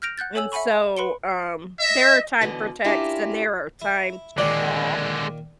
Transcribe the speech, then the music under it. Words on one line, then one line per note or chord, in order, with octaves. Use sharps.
And so, um, there are time for texts and there are time to call.
F6 G6 A#6 D7 F7
F#5 F#6 G6 A6
A4 C#5 G#5 E6 F#7
E5 F#5 G#5 B5 C#6
B4 B5 C6 C#7 D7 G7
D#5 E5
G#2 B2 D3 E3
C#4 D4 E4 F4 G4 A#4
E4
A#2 D3 D#3 G#3 A#3 D5